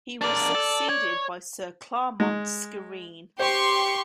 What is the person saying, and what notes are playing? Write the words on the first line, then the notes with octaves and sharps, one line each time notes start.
He was succeeded by Sir Clarmont Skrine.
D4 A#4 D5
A4
C#5
G#3
G4 C5 C6 C#6